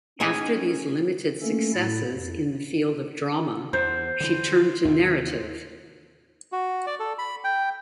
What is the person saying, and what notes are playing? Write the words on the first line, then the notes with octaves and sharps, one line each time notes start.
After these limited successes in the field of drama, she turned to narrative.
C#4 D#4 G#4
A3 A#3 C#4 A4
A2 E4 A6
F2
E2 C5
D3 E3
D#2 C3
F#4
D5
A4
B5
G5